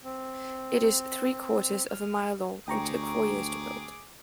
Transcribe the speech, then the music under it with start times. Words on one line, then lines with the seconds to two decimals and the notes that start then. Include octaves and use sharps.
It is three quarters of a mile long and took four years to build.
0.04 C4
1.89 F6
2.68 D2 G#4 G5 A#5 C#6 D6